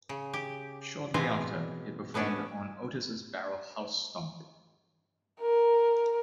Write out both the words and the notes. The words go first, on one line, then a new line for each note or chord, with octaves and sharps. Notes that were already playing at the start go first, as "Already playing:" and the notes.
Shortly after he performed on Otis's Barrel House Stomp.
C#3
G4
B2 E3 G#3 C4 F4 G#5
A3 B3 C#4 D4
A#4